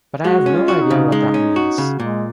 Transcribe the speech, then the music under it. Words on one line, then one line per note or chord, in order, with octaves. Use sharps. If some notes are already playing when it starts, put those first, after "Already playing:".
But I have no idea what that means.
G#3 F#4
C#4
F4
F#4
D#4
C#3
G#3
C#4
F#4
C#3
A#2 G#3